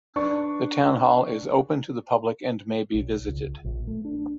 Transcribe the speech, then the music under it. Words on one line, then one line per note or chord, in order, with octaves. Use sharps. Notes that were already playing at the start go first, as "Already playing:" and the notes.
The Town Hall is open to the public and may be visited.
D4 B4 D5 C#6
B1
C#2
A#1
A3
D4